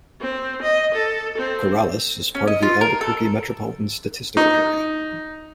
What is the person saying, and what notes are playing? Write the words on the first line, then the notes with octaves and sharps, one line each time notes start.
Corrales is part of the Albuquerque Metropolitan Statistical Area.
C4
D#5
A4
C4
C#4
D#5
F4
A#4
A4
D#4